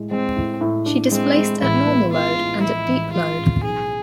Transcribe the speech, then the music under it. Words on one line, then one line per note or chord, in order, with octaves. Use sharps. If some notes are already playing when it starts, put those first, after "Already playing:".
She displaced at normal load, and at deep load.
Already playing: A2 G#3
G#3 C4
A2
A2
D4
G#3 C4
G#3
A1 E4
B3
B3 F4
A2
F3 E4
A1
F3 F4
A1
B1 G#4